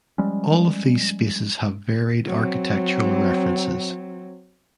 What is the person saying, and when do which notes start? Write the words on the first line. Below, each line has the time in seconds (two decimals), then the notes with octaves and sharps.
All of these spaces have varied architectural references.
0.18 F3 G3 G#3 C#4
2.27 F#3 C4